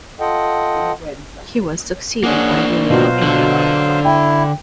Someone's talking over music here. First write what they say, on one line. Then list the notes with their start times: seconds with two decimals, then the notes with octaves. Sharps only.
He was succeeded by William Enyart.
0.20 F4 A4 D#5 F#5 G5
2.23 A#3 C#4 D4 G#4 F#5
2.90 B2 F#3 F4 F#4 C5 F5
3.22 D3
4.05 E4 G5